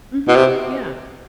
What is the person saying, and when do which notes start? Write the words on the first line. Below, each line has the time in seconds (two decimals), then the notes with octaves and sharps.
Mhm. Yeah.
0.28 B2
0.36 C3